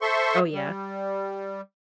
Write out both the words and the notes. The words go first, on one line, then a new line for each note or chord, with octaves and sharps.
Oh, yeah.
A4 C5 E5 C6 C#6
G3